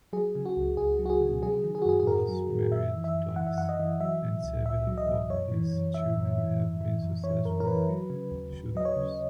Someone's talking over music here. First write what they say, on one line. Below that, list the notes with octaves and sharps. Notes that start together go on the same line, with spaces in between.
Ullman was married twice, and several of his children have been successful shooters.
F#3 G#4
C#3
F#4
C#2
C#2 G#4
F#3
F#4
G#4
C#3
F#3 G#4
D#3
G#4
F#4
F#2 G#4
G#4
F#2 A#4
F#3
D#3
F#2 E5
E3
E5
F#2
E3 F#5
E5
F#2 F#5
D#5
E3
F#3 E5
B2
C#2
C#2 E5
F#3
D#5
B2
F#2 C#5
E3
F#2
E3 E5
F#2
E3
F#2
E3
F#2
E3 C#5
F#2 A#4
A#4
E3 B4
F#3
C#3
D#2
D#2
F#3 D#5
C#5
C#3